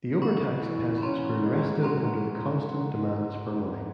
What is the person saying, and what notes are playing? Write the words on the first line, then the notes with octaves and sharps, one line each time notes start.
The over-taxed peasants grew restive under the constant demands for money.
F#4 B5 C#6
E3
B5
C#4 A#5 C6
G#3
F#4 A#5 C6